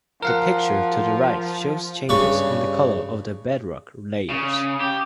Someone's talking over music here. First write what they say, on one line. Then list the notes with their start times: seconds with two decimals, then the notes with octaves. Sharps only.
The picture to the right shows changes in the color of the bedrock layers.
0.22 F3 A#4 F5 F#5
2.09 G2 C#3 B4 C#6
4.30 C#3
4.81 G4